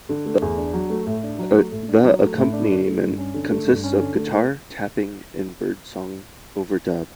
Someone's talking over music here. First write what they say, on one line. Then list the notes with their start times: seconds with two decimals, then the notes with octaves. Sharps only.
The accompaniment consists of guitar, tapping, and birdsong overdub.
0.09 D3
0.25 A3
0.42 E2
0.57 D4
0.73 F#3
0.90 A3
1.06 A2
1.23 D4
1.39 F#3
1.55 A3
1.72 A2
1.88 D4
2.04 F#3
2.20 A3
2.37 A2
2.52 D4
2.70 D3
2.86 A3
3.02 G2
3.18 C#4
3.34 D3
3.50 A3
3.66 G2
3.83 C#4
3.99 D3
4.15 A3